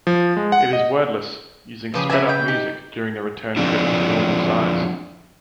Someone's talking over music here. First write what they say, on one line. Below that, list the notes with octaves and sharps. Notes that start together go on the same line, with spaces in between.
It is wordless, using sped-up music during the return trips to normal size.
F3
G#3
F#5
D#5
C#3 F3 G4 G#4 B4
E4 B4 D5 E5 G#5 A#5
G5
D#4 G4
F3 C4 D4 E4